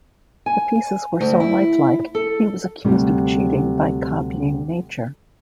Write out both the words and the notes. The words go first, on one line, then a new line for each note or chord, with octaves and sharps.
The pieces were so lifelike, he was accused of cheating by copying nature.
G#5
D2
E4
A4
D2 C3 G3